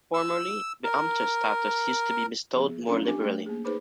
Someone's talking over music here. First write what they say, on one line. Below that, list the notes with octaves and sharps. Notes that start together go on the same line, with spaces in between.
Formerly, Beamter status used to be bestowed more liberally.
E6
A#4
F3 B3 G#4
F#3 C#4 D4 A4 D5 A#5
D4 G4 G#5 D6
A3 C5
A#3 G#4
D#4 G#4 B4 C5 B5 D6